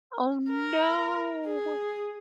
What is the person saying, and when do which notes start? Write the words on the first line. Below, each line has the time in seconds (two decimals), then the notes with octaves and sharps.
Oh, no.
0.51 A#4
1.46 G#4